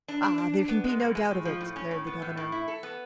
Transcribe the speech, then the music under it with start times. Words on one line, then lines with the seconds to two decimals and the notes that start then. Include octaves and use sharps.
"Ah! there can be no doubt of it," declared the governor.
0.08 D4
0.23 D4
0.38 D4
0.54 D4
0.69 B3
0.84 G#3
1.00 B2
1.15 G#3
1.31 A2
1.45 F3
1.61 A2
1.76 C#4
1.91 A2
2.07 B3
2.22 A2
2.37 A2
2.52 E4
2.68 A4
2.83 B3